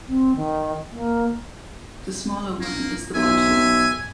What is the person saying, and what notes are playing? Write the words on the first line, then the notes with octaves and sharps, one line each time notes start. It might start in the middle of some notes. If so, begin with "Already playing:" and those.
The smaller one is the bottle.
C4
D#3
A#3
A#3
B1 E5 G#5